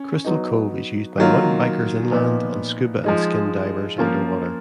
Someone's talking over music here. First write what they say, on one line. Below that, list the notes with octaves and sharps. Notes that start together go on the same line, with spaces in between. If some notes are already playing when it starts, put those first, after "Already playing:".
Crystal Cove is used by mountain bikers inland and scuba and skin divers underwater.
Already playing: C#4
F#3 B3 D#4
D#3 F#3 A#3 F4
A#2 F3 B3 D#4
F3 G#3 D#4
F3 A#3 C#4 F4